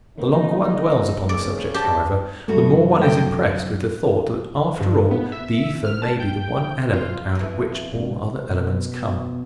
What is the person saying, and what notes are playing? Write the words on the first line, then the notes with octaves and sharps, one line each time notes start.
The longer one dwells upon the subject, however, the more one is impressed with the thought that after all the ether may be the one element out of which all other elements come.
D#2 D#3 A3 A#3 D#4
E2 G#2 C#3
C#2 G2 C#3 D5
G4 A5
F#2 G3 A3 F#4
A3 G5
G2
B3
E5
F6
A5
G5
F4
F2 E3
G#1 G2
B2